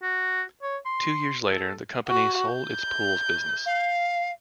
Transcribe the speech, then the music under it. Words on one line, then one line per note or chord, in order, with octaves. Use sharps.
Two years later the company sold its pools business.
F#4
C#5
C6
A4
F#4
G6
F5